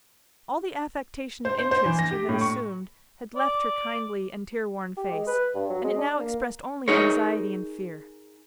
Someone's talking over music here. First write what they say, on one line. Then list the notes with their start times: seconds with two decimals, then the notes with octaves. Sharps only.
All the affectation of interest she had assumed had left her kindly and tear-worn face and it now expressed only anxiety and fear.
1.45 C5
1.58 C5
1.71 C5
1.85 E3
1.99 A#6
2.11 G4
2.29 A2
2.41 C#6
3.36 D5
4.97 G4
5.11 G#3
5.27 B4
5.55 G2
5.70 F#3
5.84 G#3
5.98 D4
6.20 A#3
6.88 D#4 G#4 A#4 C#5